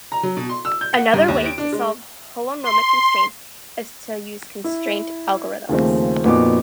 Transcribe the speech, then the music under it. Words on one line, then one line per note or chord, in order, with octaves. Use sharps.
Another way to solve holonomic constraints is to use constraint algorithms.
A#5
F#3
B2
C6
E6
G6
F#5
G2
D#2
D7
D4
G#3
C6
E4
D#2 C#3 F3 A3 C4
F2 A#2 B3 D#4 F#4 D6